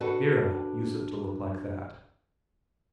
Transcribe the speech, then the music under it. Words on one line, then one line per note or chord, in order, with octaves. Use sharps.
Vera usedn't to look like that.
D4 F#4 A4 B4